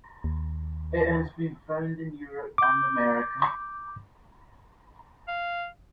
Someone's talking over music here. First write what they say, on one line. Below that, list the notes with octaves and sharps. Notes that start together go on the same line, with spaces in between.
It has been found in Europe and America.
D#2
D6 G6
F5